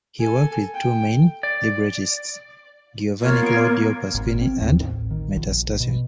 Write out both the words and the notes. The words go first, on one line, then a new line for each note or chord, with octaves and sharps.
He worked with two main librettists: Giovanni Claudio Pasquini and Metastasio.
A4 G#5
G5
D5
A#3 F4 C#5
B3 A#4
G#1
C4
D#2
A1
D#3
A#1
B2